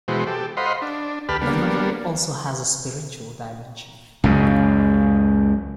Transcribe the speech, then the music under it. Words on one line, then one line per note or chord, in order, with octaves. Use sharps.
The novel also has a spiritual dimension.
B2 E3 G#3 F#4 C5
G4 A4
C5 D#5 F5 F#5 B5 C6
D4
D2 G4 B4 A5 B5 F6
G3 A#3 B3 D4
C#2 F#2 C#3